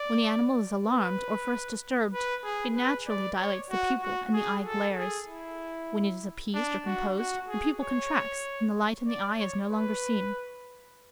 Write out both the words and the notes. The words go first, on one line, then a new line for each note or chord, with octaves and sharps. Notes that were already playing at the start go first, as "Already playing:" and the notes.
When the animal is alarmed, or first disturbed, it naturally dilates the pupil, and the eye glares; when it is appeased or composed, the pupil contracts, and the light in the eye is no longer seen.
Already playing: D5
B4
B4
G#4
B4
D5
C#5
F#4
F#4
G#4
A4
G#4
E4
D4
F#4
F#4
G#4
C#5
D5
C#5
B4